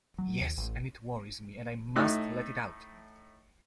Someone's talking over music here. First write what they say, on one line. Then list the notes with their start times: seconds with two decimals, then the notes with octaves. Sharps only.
Yes, and it worries me, and I must let it out!
0.18 F#3
0.41 D#2
0.58 A1
1.96 A2 A3 D#4 F#6